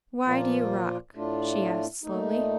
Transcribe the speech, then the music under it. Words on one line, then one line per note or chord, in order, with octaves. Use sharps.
"Why do you rock?" she asked slowly.
A#2 F3 A#3 F4
A2 A3 D4 F4
A#2 A3 D#4